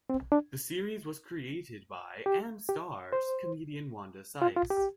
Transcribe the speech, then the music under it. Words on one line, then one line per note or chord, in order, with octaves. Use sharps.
The series was created by and stars comedian Wanda Sykes.
C4
D4
G4
G4
C5
F4
F4
G4